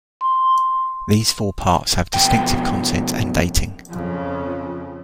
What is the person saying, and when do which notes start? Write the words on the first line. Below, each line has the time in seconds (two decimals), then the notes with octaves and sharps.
These four parts have distinctive content and dating.
0.21 C6
2.14 F2 B2 G5
3.90 F2 C#3